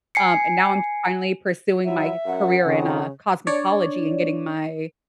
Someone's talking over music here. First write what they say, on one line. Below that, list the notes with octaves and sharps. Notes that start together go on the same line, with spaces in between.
Um, and now I'm finally pursuing my career in, uh, cosmetology and getting my
G#5 C7 C#7
F#3 E4 E5
F#2 F#5
F2 C#3
D4 C#5 D5